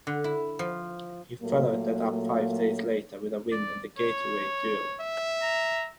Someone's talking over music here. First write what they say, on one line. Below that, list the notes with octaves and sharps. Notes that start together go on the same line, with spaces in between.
He followed that up five days later with a win in the Gatorade Duel.
D3
E4
F3
A#2 F#3 A3 A#3
D5
C#5
E5
A#5